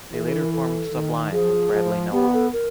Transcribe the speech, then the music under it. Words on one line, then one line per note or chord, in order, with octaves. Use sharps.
They later formed Sublime with Bradley Nowell.
E3 G#4
A4
A#4
A4
D#3
F3 G#4
F3
B3 G4
A4
A#4